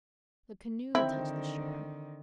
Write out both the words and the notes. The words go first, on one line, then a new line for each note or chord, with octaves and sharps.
The canoe touched the shore.
D3 D#3 C4 E4